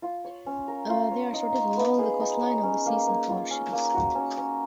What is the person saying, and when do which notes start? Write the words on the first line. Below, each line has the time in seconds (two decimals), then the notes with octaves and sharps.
They are sorted along the coastline of the seas and oceans.
0.02 F4
0.25 C#5
0.46 C#4
0.68 A#4
0.89 F4
1.11 C#5
1.33 D#4
1.55 C#5
1.77 B3
1.98 G#4
2.20 D#4
2.41 C#5
2.63 C#4
2.86 A#3
3.07 A#3
3.29 F4
3.51 C#4
3.72 A#3
3.94 F#4
4.15 C#4
4.38 C#4